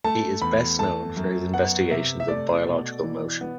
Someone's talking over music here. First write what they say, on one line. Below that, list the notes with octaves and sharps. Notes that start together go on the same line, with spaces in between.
He is best known for his investigations of biological motion.
A3 A5
E2 B5
A3 A5
F#2
B3 F#5
C3 E5
E5
A3 D5
B2
E3
B3